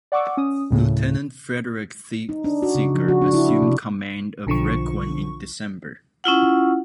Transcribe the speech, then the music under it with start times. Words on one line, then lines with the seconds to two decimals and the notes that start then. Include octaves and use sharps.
Lieutenant Frederick Thesiger assumed command of "Requin" in December.
0.12 D5 F#5 C#6 D6 E6
0.37 C#4 D#6
0.70 D2 A2 C#3
2.29 D#4
2.44 D4
2.62 F#4
2.75 C#3
2.95 F3
3.08 F#4
3.22 D4
3.34 E4
3.49 D4
3.62 C3
4.47 B1 D3 F3 C#6
6.24 C#4 E4 F4 F#5